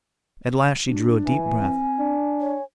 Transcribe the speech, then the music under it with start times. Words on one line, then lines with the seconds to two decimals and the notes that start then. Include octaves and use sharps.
At last she drew a deep breath.
0.87 D4 F#4
1.25 E3 G#5
1.59 C4
1.99 D4
2.41 C#5